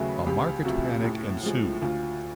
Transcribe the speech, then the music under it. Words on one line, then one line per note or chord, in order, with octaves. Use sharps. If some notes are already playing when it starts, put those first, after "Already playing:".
A market panic ensued.
Already playing: D#2 C#3 F#3 A3 G#4 B4
C#2 G4
C3 F3 A3 F#4
A2
F3 G#3
D2 F4